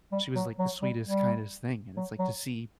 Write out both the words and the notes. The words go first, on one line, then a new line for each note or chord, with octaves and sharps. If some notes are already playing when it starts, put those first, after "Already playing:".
she was, like, "the sweetest, kindest thing," and it's like, to see,
G3
F#3
F#3
G3
G3
F#3
F#3